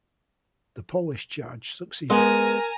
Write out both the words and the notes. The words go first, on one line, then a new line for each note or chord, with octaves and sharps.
The Polish charge succeeded.
G#3 B3 A#4 G#5 A#5